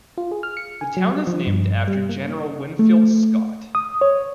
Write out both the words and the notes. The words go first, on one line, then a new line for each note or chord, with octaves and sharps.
The town is named after General Winfield Scott.
F4
G#4
F6
C#7
G#5
F#3
G3
F3
G2
G3
A#3
A3
D#6
C#5